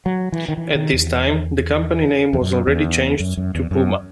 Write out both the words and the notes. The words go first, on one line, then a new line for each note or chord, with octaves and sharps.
At this time, the company name was already changed to Puma.
F#3
E3
D#3
E3
D#3
E2
E2
F#2
E2
F#2
F#2
E2
F#2